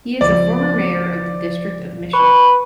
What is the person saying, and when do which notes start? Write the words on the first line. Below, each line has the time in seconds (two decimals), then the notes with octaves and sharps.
He is a former mayor of the District of Mission.
0.21 C#2 F3 C5 D5
2.13 B4 C#6